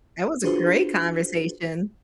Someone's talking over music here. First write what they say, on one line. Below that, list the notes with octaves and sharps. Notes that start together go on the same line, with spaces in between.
That was a great conversation.
D4 F4 F#4 G#4 B4 C5